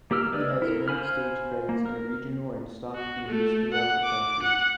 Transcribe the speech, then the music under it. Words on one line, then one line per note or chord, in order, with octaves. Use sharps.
He has many stage credits in regional and stock theatres throughout the country.
A#3 G4 A#4 E6 F6
G#3 B4 D5 E6 F6
E4 A4 A#4
C5 F5 G#5 B5 F6
A#3
A#4
F#4
A3
F#5
D6
F#5